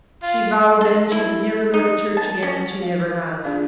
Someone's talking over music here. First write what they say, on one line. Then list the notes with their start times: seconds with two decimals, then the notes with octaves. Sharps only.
She vowed then she'd never go to church again, and she never has.
0.23 F4
0.81 A4
1.12 E4
1.74 D#4
2.17 A5
2.43 C#4
2.82 F5
3.44 D4 F4 G#4 D5 F5